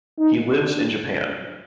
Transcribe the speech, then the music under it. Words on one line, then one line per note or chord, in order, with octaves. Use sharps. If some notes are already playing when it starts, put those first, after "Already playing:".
He lives in Japan.
D#4
D4